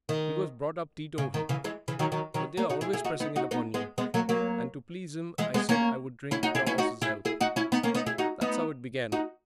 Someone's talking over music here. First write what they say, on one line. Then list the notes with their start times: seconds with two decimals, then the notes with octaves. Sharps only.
We was brought up teetotal, but they're always pressing it upon you, and to please him I said I would drink the 'orse's 'ealth. That's how it began....
0.09 D#3
1.18 C#3
1.34 D#3
1.49 C#3 E3
1.64 E3 G#3
1.88 C#3 E3
1.99 D#3 F#3
2.12 D#3 F#3
2.34 D#3 F#3
2.57 A#3 C#4
2.70 D#4 F#4
2.81 E4 G#4
2.93 E4 G#4
3.04 D#4 F#4
3.20 B3 D#4
3.36 D#4 F#4
3.51 B3 D#4
3.74 G#3 B3
3.98 G#3 B3
4.14 F#3 A#3
4.29 F#3 A#3
5.38 E3 G#3
5.54 G#3 B3
5.69 A#3 C#4
6.31 C#4 E4
6.43 D#4 F#4
6.55 E4 G#4
6.67 C#4 E4
6.78 D#4 F#4
7.02 E4 G#4
7.25 E4 G#4
7.41 D#4 F#4
7.56 C#4 E4
7.72 B3 D#4
7.83 A#3 C#4
7.94 B3 D#4
8.06 E4 G#4
8.18 D#4 F#4
8.41 B3 D#4
9.12 D#4 F#4